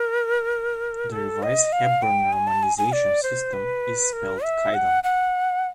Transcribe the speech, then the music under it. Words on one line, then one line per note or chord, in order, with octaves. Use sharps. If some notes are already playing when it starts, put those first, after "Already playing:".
The revised Hepburn romanization system is spelled kaidan.
Already playing: A#4
A4
D#5
F5
G5
G#5
A5
G#5
G#5
D5
C5
B4
A#4
E5
F#5
F#5